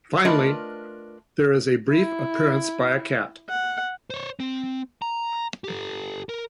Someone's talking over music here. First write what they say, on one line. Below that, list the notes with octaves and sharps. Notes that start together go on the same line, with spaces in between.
Finally, there is a brief appearance by a cat.
A3 D4 F4 A#4 B4 D#5
E4
F#5
C5 C#5
C4
A#5
G4 A4
A#4